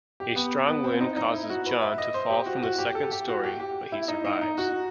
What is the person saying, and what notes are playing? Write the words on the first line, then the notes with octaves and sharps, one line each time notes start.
A strong wind causes John to fall from the second story, but he survives.
G4
B3
B3
C4
D#4
D#4
E4
F#4
B4
E5
D#5
C5
G4
F#4
F#4
G4
A4
G4
F#4
G4
G4
E4
D#4
D#4
D#4
F#4